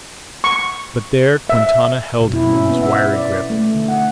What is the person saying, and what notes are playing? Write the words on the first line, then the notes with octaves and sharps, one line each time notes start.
But there Quintana held him in his wiry grip.
C#6
E5
B2
E4
C#4
B3
E5
D5
A3
D3
F#5